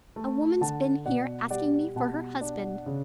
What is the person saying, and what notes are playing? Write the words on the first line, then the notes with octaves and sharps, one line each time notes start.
A woman's been here asking me for her husband.
A3
D3 F#5 A5
B2 D5 F#5
G3 D5 F#5
B2 F#5 A5
D4
C#3